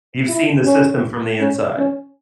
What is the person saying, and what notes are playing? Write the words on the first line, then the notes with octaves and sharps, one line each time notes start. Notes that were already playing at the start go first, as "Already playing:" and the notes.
You've seen the system from the inside.
E4
C#4
C#4
C#4